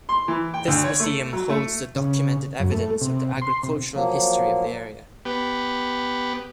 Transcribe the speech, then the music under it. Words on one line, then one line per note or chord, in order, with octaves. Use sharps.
This Museum holds the documented evidence of the agricultural history of the area.
C6
E3
G5
D2
C#5
A3
F#3
A3
C#3
F#2
A3
C3
C6
C3
F3 F#3 A#3
B3 G4